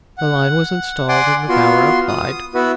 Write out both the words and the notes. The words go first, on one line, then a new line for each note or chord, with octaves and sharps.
The line was installed and the power applied.
F#5
D5 F#5 G#5 C6 D6
B3 F4 F#4 C6
D#6
B3 E4 F#4 B4